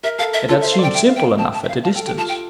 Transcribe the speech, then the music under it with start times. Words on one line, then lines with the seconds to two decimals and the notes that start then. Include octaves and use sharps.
It had seemed simple enough at a distance.
0.04 A#4 E5
0.19 A4 F5
0.33 E5
0.49 F4 A4
0.61 E5
0.64 C5
0.72 F5
0.79 D5 G5
0.94 E5 G5
1.09 F5
1.17 G5
1.24 F5
1.38 G5 A5
1.54 A5
1.64 E5
1.69 F5
1.83 F5 A5
1.95 A4 G5
2.06 G4 G5
2.17 F4 A5
2.29 F4 G5